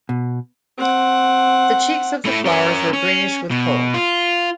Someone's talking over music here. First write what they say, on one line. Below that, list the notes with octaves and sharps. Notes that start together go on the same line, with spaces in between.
The cheeks of the flowers were greenish with cold.
B2
C4 F#5
A3 E4
C#4 A#4
C#4
B2
F4